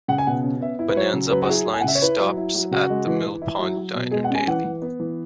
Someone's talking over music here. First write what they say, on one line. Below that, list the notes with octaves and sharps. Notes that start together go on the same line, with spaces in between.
Bonanza Bus Lines stops at the Mill Pond Diner daily.
C#3 F#5
G#5
B2 F#5
C#4
B3 E5
E4
B4
F#3 C#5
C#3
F#3 B4
F#4
E4 G#4
E4
G#5
F#5
C#3 E5
C#5
E4 B4
F#3
E4
F#3
C#3 F#4
G#3
E3
E3
E4
F#3
F#3
B2
G#3 G#4
F#5
C#4 G#5
E3 F#5
E3
B3
E3